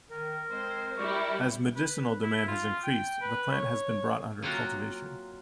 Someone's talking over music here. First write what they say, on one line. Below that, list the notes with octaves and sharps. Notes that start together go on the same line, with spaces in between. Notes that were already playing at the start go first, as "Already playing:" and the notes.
As medicinal demand has increased, the plant has been brought under cultivation.
D#3 A#4
G#3 C4 C5
G3 E4 D5 C#6
B4
E4
F4
G5
B4
C#5
F#3 A#3 C4 F4 F#4 A#4